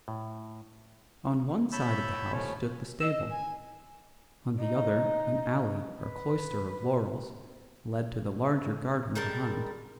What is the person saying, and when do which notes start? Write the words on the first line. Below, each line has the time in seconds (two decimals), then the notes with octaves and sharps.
On one side of the house stood the stable, on the other an alley or cloister of laurels led to the larger garden behind.
0.08 A2
1.72 C#5 E5 A5 B5 E6 G6
2.32 D#2 F3 A3 C#4 C#5
3.00 D#5 E6
3.29 G#5
4.59 D#4
6.01 B4
9.15 G3 G#3 A#4 A5